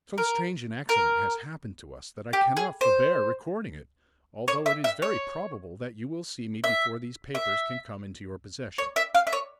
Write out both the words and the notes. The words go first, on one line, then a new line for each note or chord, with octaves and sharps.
So strange an accident has happened to us that I cannot forbear recording it, although it is very probable that you will see me before these papers can come into your possession.
A#4
A#4
G4
G#4
C5
C#5
E5
E5
C#5
E5
E5
C#5
E5
F5
E5
C#5